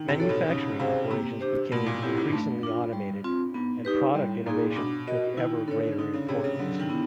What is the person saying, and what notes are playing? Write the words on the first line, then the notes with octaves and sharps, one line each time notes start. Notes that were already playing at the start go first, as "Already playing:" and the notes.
Manufacturing operations became increasingly automated and product innovation took ever greater importance.
Already playing: D#3
C3
F#4 A4 C#5
B2
C#3 D#4
C3 G#4 C5 F5
C3 A#3
D4 G4 C5
B2 A3
A#2
A2 C4 E4 G4
G#2
G2 A3
D4 F4
G3
C4 F4
G#2 B3
D#4 G4 B4
A2 G3
A#2 A#3 D#4 G#4
A#2
B2 D4
F#4 A#4 D#5
D#3 E4
D3 A4 C#5
D3 D#4
C#3
C3 G#4 C#5
C#3
D3 F#3
D#3
B3 E4